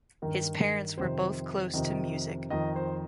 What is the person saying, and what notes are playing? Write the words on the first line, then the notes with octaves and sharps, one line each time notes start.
His parents were both close to music.
G2 D#3 A#4
A#4
F2 C3 D#3 C5
F2 C3 D#3 D#5
F2 D#3 D#5
C5